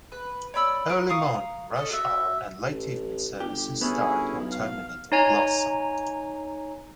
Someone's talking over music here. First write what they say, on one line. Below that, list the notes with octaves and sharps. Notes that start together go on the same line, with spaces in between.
Early morning, rush hour and late evening services start or terminate at Glossop.
B4
C#5 D5 B5 E6
A#4
F5 A#5 C#6 D#6
C#4 A4 D#5
F#4 E5
A1
G1 G4
B3 C#4 E4 G#4
B1
F5
D#4 C#5 G#5 A#5